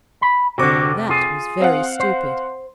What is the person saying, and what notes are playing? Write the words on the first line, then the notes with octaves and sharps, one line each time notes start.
'That was very stupid.
B5
F1 D3 C4 F#4 D6
F4 G#4
C4 F5 F#5
C5